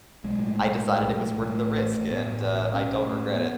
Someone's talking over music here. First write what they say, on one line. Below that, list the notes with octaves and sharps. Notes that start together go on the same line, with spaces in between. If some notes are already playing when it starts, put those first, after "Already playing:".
I decided it was worth the risk, and, uh, I don't regret it.
B1 G#3
A2
B1
A2
A2
B1
A2
B1
A2 A3
A1
A1
A2
A2 B3
A2
A1
A2
B1 C#4
B1
A2
A2
B3